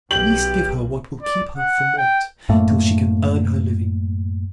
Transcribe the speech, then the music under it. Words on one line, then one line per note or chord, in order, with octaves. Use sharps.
But at least give her what will keep her from want, till she can earn her living.
B1 G4 G6 F#7
D5
F#5
G5
F#2 A2 A3 A#3